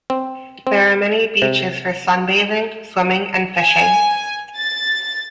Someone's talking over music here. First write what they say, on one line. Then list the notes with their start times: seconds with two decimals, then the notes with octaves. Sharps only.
There are many beaches for sunbathing, swimming and fishing.
0.10 C4
0.67 C4
1.42 C3
3.59 G#5
4.57 A6